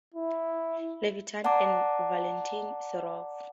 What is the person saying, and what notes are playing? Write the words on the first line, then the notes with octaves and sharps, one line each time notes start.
Levitan, and Valentin Serov.
E4
D5 F#5 A5 A#5 D6